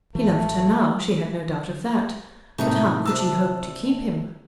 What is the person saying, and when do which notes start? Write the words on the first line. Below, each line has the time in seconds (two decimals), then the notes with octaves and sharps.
He loved her now; she had no doubt of that; but how could she hope to keep him?
0.15 A1 E3 F3 A3
2.58 A2 C3 A3 D#4 E4 A#4
3.05 C3 D4 A5 E6